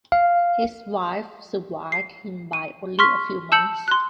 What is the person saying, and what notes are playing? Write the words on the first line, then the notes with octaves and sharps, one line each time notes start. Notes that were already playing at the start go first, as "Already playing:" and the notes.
His wife survived him by only a few months.
F5
C7
D#7
C6 C#6 F6 B6
A5 E6 G6 C#7 F#7
C6 F#6